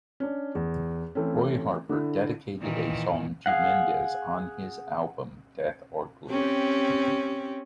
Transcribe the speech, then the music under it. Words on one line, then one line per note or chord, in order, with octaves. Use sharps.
Roy Harper dedicated a song to Mendes on his album "Death or Glory".
C#4 D4
E2
E3 A3 C4 C#4
D3 E4
A#2 D#3 E3
G#4 F5 F#5
C4 C#4 G4